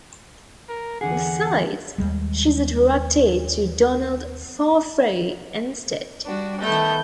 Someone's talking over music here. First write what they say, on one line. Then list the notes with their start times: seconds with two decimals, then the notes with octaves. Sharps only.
Besides, she's attracted to Donald Farfrae instead.
0.69 A#4
1.01 E2 D3 G#4 F#5
1.98 D#2 G3 G#3
6.25 G3 D4 F#4
6.61 D#3 A3 B3 A4 G6